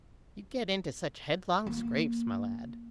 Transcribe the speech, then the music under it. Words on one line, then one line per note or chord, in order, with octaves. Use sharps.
"You get into such headlong scrapes, my lad."
A#3